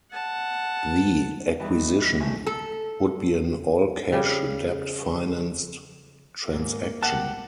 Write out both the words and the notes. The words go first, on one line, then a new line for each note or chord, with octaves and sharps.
The acquisition would be an all-cash, debt-financed transaction.
F#5 A5
E3 G3 D#4
D2 D#3 A3 G#5 C#6
A4
C#3 G3
G#2 A#3
G4 F#5 A5